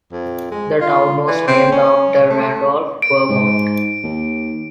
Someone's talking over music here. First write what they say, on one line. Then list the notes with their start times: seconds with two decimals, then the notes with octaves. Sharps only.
The town was named after Randolph, Vermont.
0.12 F2
0.51 G#3
0.80 F4
1.28 E3
1.47 C4
1.72 C#4
2.30 A3
3.02 D7
3.29 G#2
4.04 D#2